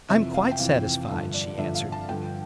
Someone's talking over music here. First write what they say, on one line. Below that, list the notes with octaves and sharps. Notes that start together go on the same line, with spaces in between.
"I'm quite satisfied," she answered.
F2 C3 E3 E5
F5
G5
F2 C3 E3 F5
G2 D3 F3
D5
G2 D3 F3 E5
F5
A5
G2 D3 F3 G5